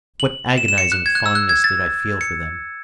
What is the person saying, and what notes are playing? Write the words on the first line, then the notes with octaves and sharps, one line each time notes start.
What agonizing fondness did I feel for them!
F#7
E7
E7
C#7
F#6
G#6
F#6
E6
F#6
G#6
A6
C#7